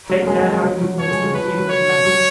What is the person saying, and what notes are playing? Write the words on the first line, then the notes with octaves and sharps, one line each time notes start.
Take care how you administer it even as medicine.
F#3
A#3
G#3
G#3
G#3
F#3
F#3
F3 C#5
G#3
F#3
F3 B4
F#3
F#3
C#5
F#3